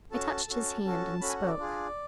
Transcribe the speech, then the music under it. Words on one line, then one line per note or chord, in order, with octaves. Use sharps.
I touched his hand, and spoke.
C#4 F#4 A4 A5
C#4 F#4 A4
C#4 F#4 A4
C#4 F#4 A4 B5
G#5
F#5
D5
D4 F4 G#4